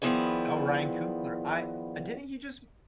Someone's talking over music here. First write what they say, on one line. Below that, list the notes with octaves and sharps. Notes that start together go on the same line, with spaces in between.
Oh, Ryan Coogler. I uh, didn't he just
D#3 F3 B3 E4 G#4 D5